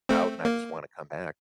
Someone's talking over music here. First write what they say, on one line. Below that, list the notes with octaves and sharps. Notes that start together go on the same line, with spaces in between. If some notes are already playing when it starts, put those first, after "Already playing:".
out and I just wanna come back.
A3 C4
A#3